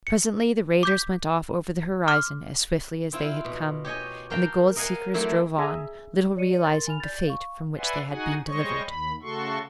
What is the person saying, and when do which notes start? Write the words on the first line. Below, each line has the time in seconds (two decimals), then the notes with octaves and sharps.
Presently the raiders went off over the horizon as swiftly as they had come, and the gold-seekers drove on, little realizing the fate from which they had been delivered.
0.07 C#7
0.83 D6 G6 B6
2.08 C6 D6 F6
3.13 C4 E4 F4
3.45 B2
3.85 G4 C#5 D#5 G#5
4.30 A#4 F5 G5 A5 A#5
4.76 A#4 D#5 F5 F#5 G#5
5.14 F#3 G3 A3 A#3 C4 E4
5.58 G#4 E5 G#5 A#5
6.37 C#5 D5 C#7 D#7
6.62 A#4 C6 A6
6.87 G#5 B5 F6 F7
7.00 D5 G6 A6
7.27 F5 C#6
7.77 B4 D5 E5 F#5 G#5 C6
8.09 D#4 F#4 G#4 F#5 G#5
8.47 G3 G#3 C5 C#5 D#5 C#6
8.87 D#2 B5
9.22 C#3 A3 F#4 A4 C6 C#6